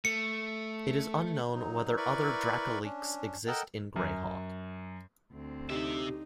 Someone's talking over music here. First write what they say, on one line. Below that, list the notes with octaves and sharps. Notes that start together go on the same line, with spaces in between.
It is unknown whether other dracoliches exist in "Greyhawk".
A3 C#7
F#3 D#4
E4 A#4 B4 D5 B5 C#6
C#4 D4
A4 A#4 D#5 F#5 G5 A5
F#2
D2 C4
C3 D#4 G4 E5